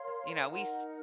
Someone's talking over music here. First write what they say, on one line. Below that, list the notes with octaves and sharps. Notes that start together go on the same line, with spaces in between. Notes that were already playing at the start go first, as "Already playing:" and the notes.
you know, we s
Already playing: A#4 C#5 F5 C6
D#4 A#4 D#5 F#5